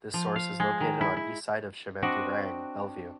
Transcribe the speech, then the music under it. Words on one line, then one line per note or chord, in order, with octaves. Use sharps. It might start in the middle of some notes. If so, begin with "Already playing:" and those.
This source is located on east side of Chemin du Rang Bellevue.
F3
F5
G#3
D#3
E4
E4
C4 D4 F#4 D#5 F#5